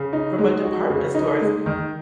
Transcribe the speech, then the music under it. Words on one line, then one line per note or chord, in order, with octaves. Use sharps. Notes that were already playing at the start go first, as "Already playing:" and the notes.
from a department stores,
Already playing: C#3
D#4
G#3
F#4
C#3
D#4
G#3
D#3